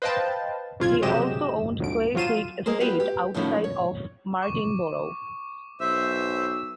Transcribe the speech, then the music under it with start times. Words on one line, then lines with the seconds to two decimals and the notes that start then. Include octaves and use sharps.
He also owned Clay Creek Estate outside of Martinborough.
0.02 B4 C5 D#5 F5 G5 A5
0.80 F2 F4 G#6
1.02 C3 F#3 G#3 G4 D#5 E7
1.80 G1 D2 D7
2.15 F3 F#3 F4 D#7 E7
2.66 G#3 A#3 G#4 A#4 C5
2.80 B3 F4 G4 B4
3.00 G4
3.34 A2 D3 D#3 F3 C#4 E4
3.64 C#5
4.43 C#6 D6
5.81 B1 C5 E5 E6